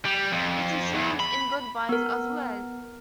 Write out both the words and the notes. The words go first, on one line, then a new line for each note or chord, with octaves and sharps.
It is used in goodbyes as well.
G3
F2
E2
B5
B3 A#4